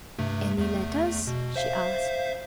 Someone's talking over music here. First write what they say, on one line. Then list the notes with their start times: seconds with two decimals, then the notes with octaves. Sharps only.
"Any letters?" she asked.
0.19 G2 C3 A3
0.58 E2 A3
1.27 B2
1.56 C5 E5 F5